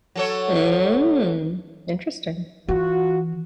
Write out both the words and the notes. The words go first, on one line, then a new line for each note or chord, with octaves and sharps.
Mm. Interesting.
F#3 A4 C#5
E3 F4 F#4